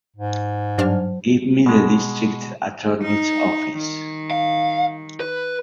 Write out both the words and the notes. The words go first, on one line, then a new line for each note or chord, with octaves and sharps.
Give me the District Attorney's office.
G#2
G2 F#3 D4 C5 A5 F6
B2 G#3
D#4
D#3
F5
B4